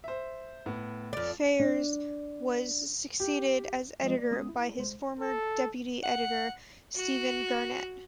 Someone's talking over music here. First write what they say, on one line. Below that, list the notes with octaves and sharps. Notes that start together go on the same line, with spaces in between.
Faiers was succeeded as editor by his former deputy editor, Stephen Garnett.
C5 E5
A2 B3
F2 D5 A6
D4
G4
F3 G#3 C4 F4 D#5
A#3 D5
G#3 B3 C#4 D#6
E4
C2 G#3 C5
A4
F#5
F#4